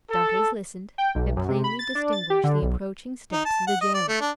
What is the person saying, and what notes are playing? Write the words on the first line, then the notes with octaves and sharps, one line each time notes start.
Dantes listened, and plainly distinguished the approaching steps of the jailer.
A4
G5
B1
F#2
C3
B5
A6
D4
A6
G4
D3
B1
D#4
A5
F#5
D#5
D5
A3
D4